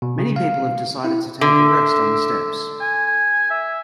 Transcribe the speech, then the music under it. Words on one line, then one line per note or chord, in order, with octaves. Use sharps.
Many people have decided to take a rest on the steps.
B2
C#3
F5
E4
D3 E5
G#5
E5